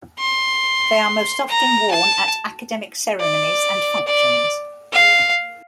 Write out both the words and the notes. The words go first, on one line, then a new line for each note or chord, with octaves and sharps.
They are most often worn at academic ceremonies and functions.
C6
A#5
A5
D5
D5
F5